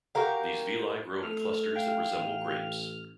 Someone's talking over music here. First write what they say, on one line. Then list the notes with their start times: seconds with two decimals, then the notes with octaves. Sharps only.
These villi grow in clusters that resemble grapes.
0.15 F#4 G4 A#4 F5
1.23 A3 A4 F6
1.76 F5 G5
2.15 A1